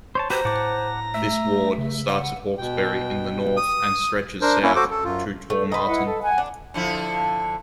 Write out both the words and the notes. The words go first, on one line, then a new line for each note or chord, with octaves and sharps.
This ward starts at "Hawkesbury" in the north and stretches south to Tormarton.
C5 C#5 A5
F#4 G4 B4 C5 A#5
A2 F#5 A5 D6
A3 E5
C#3
F#5
B2 G5
D#6
D4 A#4 C5
A#3 C#4 E4
F#4 A4 C5 D6
A4
F#2 F4
A3
B4 D#5
E4 F#5
A4
F#5 G#5
D4
D3 F3 E4